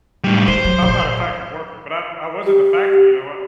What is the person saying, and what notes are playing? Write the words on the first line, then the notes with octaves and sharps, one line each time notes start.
I was not a factory worker, but I I was in the factory, you know, I
A2 G3
E4 C5
F#3
A#1
G4